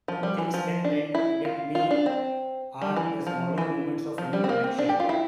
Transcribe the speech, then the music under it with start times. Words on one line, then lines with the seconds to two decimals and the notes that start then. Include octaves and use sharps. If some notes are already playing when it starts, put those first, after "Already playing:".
The things that tend to get me are the smaller moments of human connection.
0.08 F3
0.23 G3
0.38 E3
0.54 F3
0.84 D4
1.15 E4
1.45 F4
1.75 F4
1.91 D4
2.06 C4
2.82 G3
2.96 E3
3.27 F3
3.58 E3
4.18 F3
4.33 G3
4.44 C4
4.49 A#3
4.64 C4
4.79 D4
4.89 G4
5.00 F4
5.09 E4